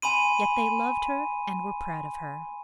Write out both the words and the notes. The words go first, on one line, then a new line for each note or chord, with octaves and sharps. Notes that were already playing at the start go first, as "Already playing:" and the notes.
Yet they loved her and were proud of her.
G#5 B5 C6 D#7